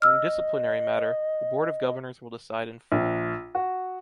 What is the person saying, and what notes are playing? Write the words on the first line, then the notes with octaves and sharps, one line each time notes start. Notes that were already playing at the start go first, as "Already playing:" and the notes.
In disciplinary matter, the Board of Governors will decide in full.
D#5 E6 F6
A#1
F#4